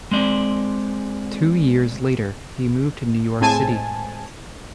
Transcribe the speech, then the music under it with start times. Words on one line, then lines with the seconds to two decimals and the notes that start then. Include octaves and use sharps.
Two years later he moved to New York City.
0.11 G#3 C4 D5
3.40 A2 G#3 C4 G#5 A5